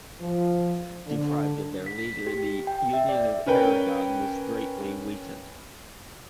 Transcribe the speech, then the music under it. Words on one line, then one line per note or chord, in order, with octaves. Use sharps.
Deprived of their leader, the Union of Aragon was greatly weakened.
F3
D3
B6
B6
G4
G5
E5
D5
C#4 A#4 B4 G5